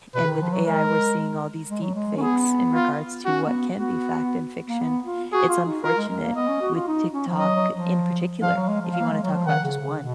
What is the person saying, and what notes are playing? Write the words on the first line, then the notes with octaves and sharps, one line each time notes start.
and with AI, we're seeing all these deep fakes in regards to what can be fact and fiction. It's unfortunate with TikTok in particular- if you wanna talk about just one-
B2 B4
C#3
D#3
F3
F#3
G#3 A#4
G#3
F#3
G#3
C#4
B3 G#4
F4
C#4 F#4
A#3
B3
B3 F#4
A#3
B3
F4
F#4 G#4
F4
D#4
F4 A#4
G#3
G#3
A#3
B3 D#5
C#4
F#4
F4
D#4
C#4
F3
F#3 D#5
F#3
F3
F3 F5
F#3
G#3
F3
F5
A#3
G#3
F#3
F3
D#3 F#5
C#3
C#3
B2